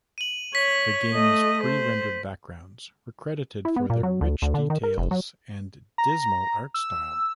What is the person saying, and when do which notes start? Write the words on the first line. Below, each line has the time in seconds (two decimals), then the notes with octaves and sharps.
The game's pre-rendered backgrounds were credited for their rich details and dismal art style.
0.18 D#7 F#7
0.55 C#5 B6
1.13 A3 D#5
1.64 C5
3.65 E4
3.76 B3
3.90 A#2
4.03 F#3
4.21 D2
4.42 D2
4.54 D3
4.70 D#3
4.83 A#4
4.98 F1
5.11 F#3
5.98 A#5
6.74 E6